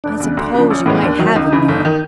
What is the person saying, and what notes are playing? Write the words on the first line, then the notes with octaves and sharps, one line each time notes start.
I suppose you might have him, though.
F1 D4
E2 C#3
D2
C#3 F3
A#1 C#4
A2 E3 G#3 B3
D#2 D4
D#3 F#3 D#4
C#2 D#4
C#3 E3
G1
D#3